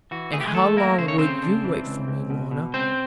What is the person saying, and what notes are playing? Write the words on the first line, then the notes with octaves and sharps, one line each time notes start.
And how long would you wait for me, Lorna?'
E3 F#4
A3 G#4
G4
G#3 G#4
E3 A3 A4
A3 A#3 A#4
C#3 C5
C#5
C#3 C4 C5
D4
E3
C#2
C#2
B2
B2
C#2 C4 C5